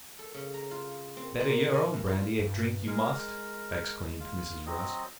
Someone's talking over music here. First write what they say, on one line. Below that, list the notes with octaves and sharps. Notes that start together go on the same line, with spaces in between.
'Better your own brandy, if drink you must!' exclaimed Mrs. Rusk.
A4
C#3
A#5
F4
C4
A#2
G#5
G2
F4
G2
G#3 A#4
F4
F#3 C4 D#5